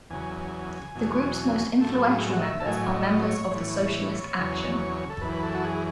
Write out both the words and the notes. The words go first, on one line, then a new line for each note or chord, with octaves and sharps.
The group's most influential members are members of Socialist Action.
E2 C#3 F#3 G#5
E2 B2 F#3
A2 F#3 A4
G#4
F#5
E5
A5
A2 F#3 G#5
D#5
C#5
A2 C#5
E3
E2 C#3 F#3
A4
F#2 E3 B4
B4
A4
F#4
G#4